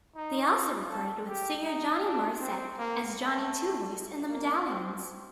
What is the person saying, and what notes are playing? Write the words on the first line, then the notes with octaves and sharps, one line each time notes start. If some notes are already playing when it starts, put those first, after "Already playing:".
They also recorded with singer Johnny Morrisette, as Johnny Twovoice and The Medallions.
D#4
F4
A4
G4
D#4
D4
C4
A#3
A3
A#3
C4